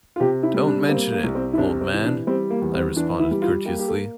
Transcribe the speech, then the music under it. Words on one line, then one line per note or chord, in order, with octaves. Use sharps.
"Don't mention it, old man," I responded courteously.
F4
C3 G4
E4
G3
D4
D4
A#3 C4
A#3
C2
C4
E4
C3 D4
C4
E3
D4
G3 C4
A#3
E2
C4
E3 D4
E4
G3
F4
A#3 G4
G4
A4